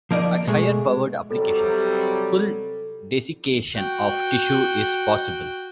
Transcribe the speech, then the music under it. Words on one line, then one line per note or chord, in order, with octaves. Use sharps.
At higher powered applications, full desiccation of tissue is possible.
F3 A#3 D#4 D5
B2 G#3 A3
C3 F#3 G3 A4
F#4 G5